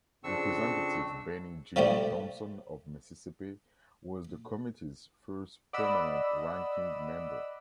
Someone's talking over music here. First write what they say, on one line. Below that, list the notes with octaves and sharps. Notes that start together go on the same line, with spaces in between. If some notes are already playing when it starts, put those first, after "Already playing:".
Representative Bennie G. Thompson of Mississippi was the Committee' first permanent Ranking Member.
F2 C#3 C4 D4 C#6 E6
F3 G3 A3 G4 C5
D5 D#5 F#5 B5 E6